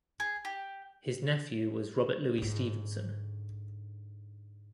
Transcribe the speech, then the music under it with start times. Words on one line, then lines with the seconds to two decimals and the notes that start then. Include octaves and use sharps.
His nephew was Robert Louis Stevenson.
0.20 G#4
0.45 G4
2.38 G#2 D3